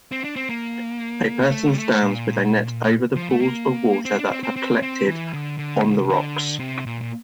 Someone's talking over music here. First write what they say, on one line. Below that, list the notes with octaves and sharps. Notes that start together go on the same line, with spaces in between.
A person stands with a net over the pools of water that have collected on the rocks.
C4
D4
C4
A#3
A3
G3
A3
A#2
F3
A3
A#3
C4
D4
C4
C4
C4
C4
E3
D3
D3
A#2
C3
D3
C3
A#2
A#2